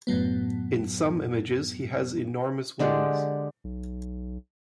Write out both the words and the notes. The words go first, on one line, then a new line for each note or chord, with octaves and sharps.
In some images he has enormous wings.
F#2 A2 F#3 B3
D3 G#3 G4 D5
B1